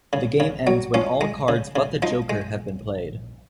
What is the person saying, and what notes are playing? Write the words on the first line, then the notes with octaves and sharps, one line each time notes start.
The game ends when all cards but the Joker have been played.
C#3
C#3
F#3
F3 C#4
G#3
C#3
C#3
F3 D#4
G#3